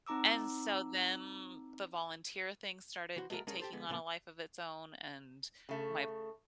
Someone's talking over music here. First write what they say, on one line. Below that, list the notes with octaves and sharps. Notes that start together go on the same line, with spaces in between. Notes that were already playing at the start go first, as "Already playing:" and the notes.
and so then the volunteer thing started get taking on a life of its own, and my
C4 D#4 A#5 D6 E6
E3 F#4 C5
G#3 A3 F#4 G4 A#4
C2 G#3 C#4 D4 A#4 D#5
G4 A4 C5
D3 G#3 B3
A#2 C#3 F3 A#3 B3
C#3 A3